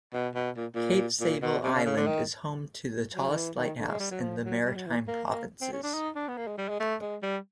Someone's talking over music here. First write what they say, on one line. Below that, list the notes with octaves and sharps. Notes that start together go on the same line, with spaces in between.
Cape Sable Island is home to the tallest lighthouse in the Maritime Provinces.
B2
B2
A#2
A#2
A#2
B2
C3
C#3
C#3
D3
D#3
F#3
D#3
E3
D#3
D3
G#3
G3
F#3
F3
F#3
G3
F#3
E3
A#3
A#3
C4
C#4
D4
D#4
D4
B3
A#3
G#3
G3
G#3
A3
G#3
G3